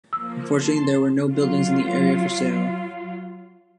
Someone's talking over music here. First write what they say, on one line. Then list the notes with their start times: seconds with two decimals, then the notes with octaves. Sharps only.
Unfortunately there were no buildings in the area for sale.
0.13 F3 A#3 E6
0.46 A5 C6
1.29 F#3 F4